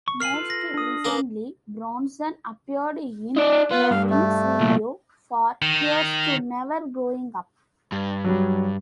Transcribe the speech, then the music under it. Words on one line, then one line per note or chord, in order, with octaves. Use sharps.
Most recently, Bronson appeared in Lavigne's video for "Here's to Never Growing Up".
C#6
A#4 F5 G#5 F6 C7 F#7
F4 A4 B4
A#6
D4 D#6
A#3 B3 A#4
D#4 D5
B3 F4
G2 F5
A3
C2 A#2
D#3
G2
F#3 G3